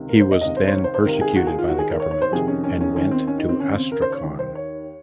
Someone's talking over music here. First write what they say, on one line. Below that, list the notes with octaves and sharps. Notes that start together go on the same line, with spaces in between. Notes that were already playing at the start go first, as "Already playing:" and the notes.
He was then persecuted by the government and went to Astrakhan.
Already playing: C#2 C3 D#3
A#4
C5
D#5
C#2 C3 D#3 D#5
C5
C5
C#5
C5
C5
C#2 C3 D#3 A#4
G#4
F#4
G#4
F4
D#2 D#3 F#4
G#4
A#4
C#5
C#5
C5
F2 C3 D#3 G#4
C#4
C#4
C#4
D#2 D#3 C#4
C4
C#4
D#4
C4
D#2 C#3 C#4
C4
A#4
C5
C#5
D#2 D#3
C5
C#5